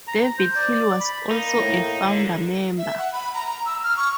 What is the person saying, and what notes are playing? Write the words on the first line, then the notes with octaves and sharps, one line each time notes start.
David Hill was also a founder member.
A#5
C5
D5
B5
A#3 D#4
A2 A#3
D3
E5
F#5
B5
A#5
A#5
E6
F6
C#6